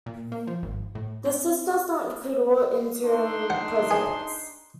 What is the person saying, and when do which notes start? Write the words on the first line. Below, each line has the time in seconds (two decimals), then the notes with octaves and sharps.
This list does not include all interim presidents.
0.06 A#2
0.32 A#3
0.47 F3
0.63 G#1
0.95 A2
1.25 C4
3.05 D4 D#4 C6
3.50 F#5
3.91 G#4